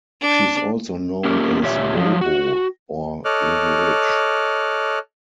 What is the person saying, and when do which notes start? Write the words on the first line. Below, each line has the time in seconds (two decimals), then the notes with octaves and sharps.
She's also known as 'Bo Bo' or 'Little Witch'.
0.21 D4
1.25 A#3 C#4 G4 A#4
1.63 A#2 G4 C#5 E5
1.96 F3 F#3
2.21 F#4
3.25 A4 C#5 D#5 D6 F6 F#6